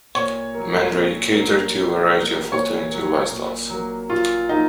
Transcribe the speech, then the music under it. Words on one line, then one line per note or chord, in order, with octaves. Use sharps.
Manray catered to a variety of alternative lifestyles.
A#2 C#5
F#3 A#3
A#2
F#3 A#3
A#2
F#3 A#3
A#2 C#5
F#3 A#3
A#2
F#3 A#3
A#2 F4
F#3 A#3 D#4